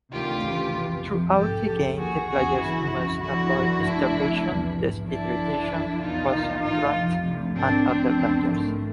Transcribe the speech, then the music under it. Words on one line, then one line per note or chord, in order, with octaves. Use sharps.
Throughout the game, the player must avoid starvation, dehydration, poison traps, and other dangers.
D2 C3 D#3 F4 G4
D2 C#3 E3
F2 C3 E3
F2 C3 F3
G#2 F3 G4 A4
F2 C#3 F3
D#2 D#3 F#4 G#4
E2 C#3 E3 F#4 G#4
G2 E3 E4 F#4
F2 C#3 F3
F2 D3 F3 E4 F#4
G2 D3 F3
D2 D3 F3 D4 E4
D2 C3 F3
E2 C3 F3
G#2 F3
G2 D3 F3 D4 E4
G2 D3 F3
F#2 D3 F3
E2 B2 D#4 F4
D#2 D#3
A2 E3 D#4 F4
F2 C3 F3
D2 C3 F3
G#2 D#3 C4 D4
D2 D3 F3 C4 D4
E2 C#3 F3
G#2 D#3 A3